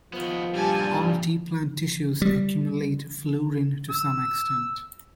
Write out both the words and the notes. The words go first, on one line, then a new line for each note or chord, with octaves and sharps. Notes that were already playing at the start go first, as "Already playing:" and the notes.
All tea plant tissues accumulate fluorine to some extent.
D#3 F3 B3
G2 A#2 G3 G#5 A5
G3
E6